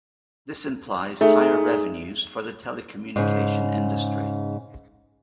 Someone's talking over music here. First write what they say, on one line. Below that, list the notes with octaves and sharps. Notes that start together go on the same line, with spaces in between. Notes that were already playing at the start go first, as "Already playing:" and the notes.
This implies higher revenues for the telecommunication industry.
A3 D#4 G#4
G#2 C#3